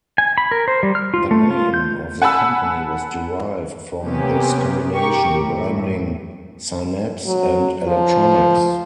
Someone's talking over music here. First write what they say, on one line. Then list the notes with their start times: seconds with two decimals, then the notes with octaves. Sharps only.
The name of the company was derived from this combination, blending "synapse" and "electronics".
0.18 G#5
0.38 B5
0.52 A#4
0.68 C5
0.83 G3
0.95 F6
1.14 F4
1.31 A3
1.51 F4
1.74 G6
2.22 F#5 G#5 A5 B5 E6
4.04 C3 F#3 A#3 B3 C#4 G4
4.93 G4 A#4 C#6
5.33 A2
7.27 F#3
7.88 F3